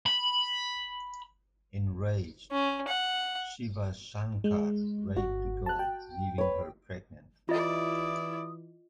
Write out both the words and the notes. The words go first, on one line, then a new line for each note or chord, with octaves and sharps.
Enraged, Shivashankar raped the girl, leaving her pregnant.
B5
C#4
F#5
G#3
G1 F#4
A5 F#6
G5
B4 C#5
E3 E4 F4 G4 D5 D#5 D#6